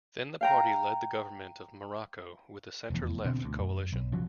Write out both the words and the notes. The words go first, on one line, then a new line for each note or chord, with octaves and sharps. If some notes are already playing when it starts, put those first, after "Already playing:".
Then the party led the government of Morocco with a centre-left coalition.
F5 G5 A#5
F1 E2
B2 D3 C4
D2
F#2
B1
C#3 F3 F#3